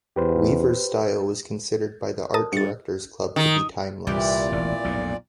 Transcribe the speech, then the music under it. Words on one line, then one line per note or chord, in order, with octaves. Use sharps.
Weaver's style was considered by the Art Directors Club to be "timeless".
E2 G4 B4 C5
A#4 A5 D#6
G2 A6 C#7
D#3
C2 A#2 E3 C4 G4 D5
E1 A1 E2
B1 F2 A2